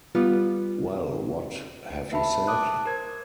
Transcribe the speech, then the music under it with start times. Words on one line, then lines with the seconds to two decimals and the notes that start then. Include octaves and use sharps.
Well what have you said?
0.15 G3 B3 F4
2.12 B4 E5 A5 B5
2.47 A5 D6 D#6 F#6
2.86 A#4 C5 G#6